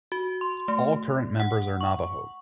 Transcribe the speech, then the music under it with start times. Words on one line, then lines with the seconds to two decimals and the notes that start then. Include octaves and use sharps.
All current members are Navajo.
0.12 F#4
0.41 C6
0.68 A3
1.40 F#5
1.81 C#6